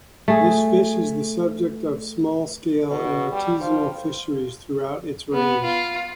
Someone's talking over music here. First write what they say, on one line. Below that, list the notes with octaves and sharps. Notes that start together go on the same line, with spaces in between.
This fish is the subject of small scale and artisanal fisheries throughout its range.
A3 G#4
B2
G3
F3
B3
F4